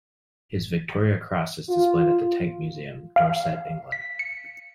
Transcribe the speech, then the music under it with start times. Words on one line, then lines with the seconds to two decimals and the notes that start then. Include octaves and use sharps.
His Victoria Cross is displayed at The Tank Museum, Dorset, England.
1.69 F4
3.16 F5
3.92 B6
4.19 C#7